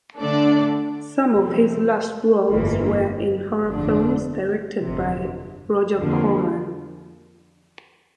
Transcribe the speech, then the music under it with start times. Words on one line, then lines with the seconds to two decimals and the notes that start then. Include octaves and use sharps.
Some of his last roles were in horror films directed by Roger Corman.
0.19 D3 A3 D4 A4 D5
1.34 E2 C3 F3 A3 C4
2.50 G1 F2 E3 A#3
3.66 G1 F2 D3 A3 D4
4.81 G1 F2 C3
5.97 F2 D3 F3 A#3